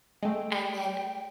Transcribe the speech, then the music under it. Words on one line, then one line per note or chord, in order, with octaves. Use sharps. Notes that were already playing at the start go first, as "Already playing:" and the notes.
and then,
G#3 A3 G5